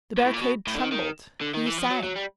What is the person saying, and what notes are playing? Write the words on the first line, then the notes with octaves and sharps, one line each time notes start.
The barricade trembled; he sang.
A#2
A2
A#2
B2
A2
D3
D#3
D#3
D3
D#3
E3
F3
F#3
F#3
G3